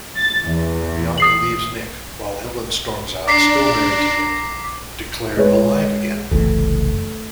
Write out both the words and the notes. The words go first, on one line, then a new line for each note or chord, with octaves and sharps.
Bianca leaves Nick, while Ellen storms out, still married to Nick, declared alive again.
A6
E2
D#6 C7 F#7
D4 A#5 D6 B6 C7
G#3 B4 C#5
F#1 C2 E3 A3